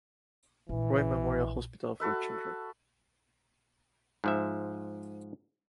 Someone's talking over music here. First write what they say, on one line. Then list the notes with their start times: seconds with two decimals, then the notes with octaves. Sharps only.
Roy Memorial Hospital for Children.
0.69 A#1 E3
2.00 F#4 A4 B4 E5
4.24 G#2 F3 E5